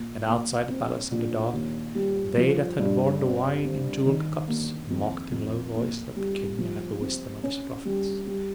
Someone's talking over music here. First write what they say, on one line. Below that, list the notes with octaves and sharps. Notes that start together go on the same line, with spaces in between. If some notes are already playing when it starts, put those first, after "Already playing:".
And outside the palace in the dark they that had borne the wine in jewelled cups mocked in low voices at the King and at the wisdom of his prophets.
Already playing: A#2
A#3
C4
A#1
D#2
G3
F3
G2
C4
C4
D#3
A#3
F2
F2
A#3
G3
F3
C4
C#4
G3
G3